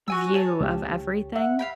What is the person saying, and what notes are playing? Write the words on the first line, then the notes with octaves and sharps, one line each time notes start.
view of everything,
F#4 G#5 E6
C#5 G#5 A5
C#2 G4
E5 F#5
F5 G5 B5